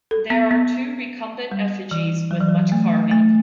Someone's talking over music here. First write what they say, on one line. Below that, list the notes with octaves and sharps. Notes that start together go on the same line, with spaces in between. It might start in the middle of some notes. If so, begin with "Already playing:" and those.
There are two recumbent effigies with much carving.
A4
B3
B3
G3
E3
F#3
E3
F#3
A3
A3